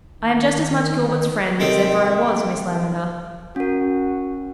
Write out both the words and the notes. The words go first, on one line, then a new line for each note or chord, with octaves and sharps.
"I am just as much Gilbert's friend as ever I was, Miss Lavendar."
D#3
C3 D#3 C4 A4
C#4 F#4 A#4